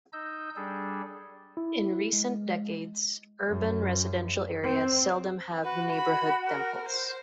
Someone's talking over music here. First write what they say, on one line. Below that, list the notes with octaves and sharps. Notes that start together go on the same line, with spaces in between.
In recent decades urban residential areas seldom have neighborhood temples.
D#4 D#5 E6 G6
G3 D4 G#4 A4
E4
G#3
F#2
C4
F#4 B4
B5
A#4
C5